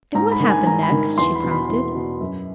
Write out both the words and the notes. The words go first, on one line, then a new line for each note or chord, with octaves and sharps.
"And what happened next?" she prompted.
G#2 A#5
B5
D#3
G#5
G#2 A#5
B5
D#3
E2 C6
B5
B2
B5
E2
B2
F#2